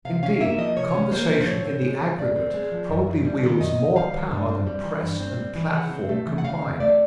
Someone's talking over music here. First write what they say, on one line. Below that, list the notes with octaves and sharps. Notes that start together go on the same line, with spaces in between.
Indeed, conversation in the aggregate probably wields more power than press and platform combined.
C3 F5
C#4 F5
A#3 E5
F3 D#5
C3 C#5
C#4
A#3 C5
F3
C5
A2 C#5
C4
G#3
F3
A2 D5
C4
G#3
F3
F#2
F#2
G3
D#3
F#2 D#5
F#2
G3 F5
D#3
G2
C4
G3
E3
G2
C4
G3
E3
C#3 F#5
C4
A3
E3
F#5
C#3 F5
C4
A3 D5